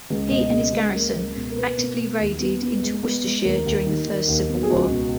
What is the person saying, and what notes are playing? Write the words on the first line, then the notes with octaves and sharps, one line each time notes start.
He and his garrison actively raided into Worcestershire during the First Civil War.
C#2
B2 D#5
C#2
C#2
A#3
C#2
B2
A#4
A#3 B4
B2
A#3
D#2
B3
B3
G#3
B3
G#3
D#2 A#4
D#2
D#3
D#3
D#2
B3
G#4
C#2 F#4
B2